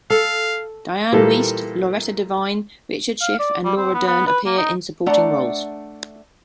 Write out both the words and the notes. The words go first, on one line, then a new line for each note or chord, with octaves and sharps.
Dianne Wiest, Loretta Devine, Richard Schiff and Laura Dern appear in supporting roles.
A4 F5
A#2 E3 G3 A#3 G4 A4
F5
D5
G3
C4
B3
B3
B4
A#3
D#4
A3 D4 D5 F#5 A#5